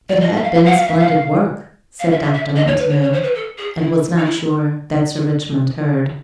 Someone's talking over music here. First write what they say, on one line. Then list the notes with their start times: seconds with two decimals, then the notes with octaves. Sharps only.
"It had been splendid work," said Dr. Martineau, and was not sure that Sir Richmond heard.
0.09 D5
0.21 D#5
0.36 E5
0.43 F5
0.54 F5
0.65 F#5
0.76 F5
0.87 E5
0.98 F5
2.00 F5
2.11 E5
2.22 E5
2.34 E5
2.56 D#5
2.67 C#5
2.79 B4
2.89 C#5
3.02 C#5
3.13 C5
3.23 B4
3.35 A4
3.58 G#4
3.80 E4
4.17 D#4
4.25 E4